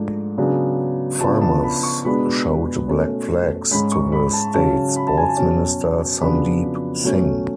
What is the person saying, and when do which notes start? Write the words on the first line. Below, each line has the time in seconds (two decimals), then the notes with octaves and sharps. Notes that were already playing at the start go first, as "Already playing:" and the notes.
Farmers showed black flags to the state sports minister Sandeep Singh.
Already playing: G#2 F3 A3 D4
0.38 C#3 F#3 B3 D4
1.21 C#3 F3 B3 D4 A5
1.41 A5
1.63 B5
1.83 C#6
2.05 B2 G#3 B3 D4 B5
2.88 B2 A3 C#4
3.71 G#2 G#3 C#4 B5
3.92 C#6
4.12 B5
4.33 A5
4.54 C#3 F#3 C#4 A5
4.96 B5
5.07 A5
5.17 G#5
5.29 A5
5.37 B2 F#3 C#4
6.21 F2 C#3 F#3 B3 D4 B5
7.04 B2 F#3 A3 C#4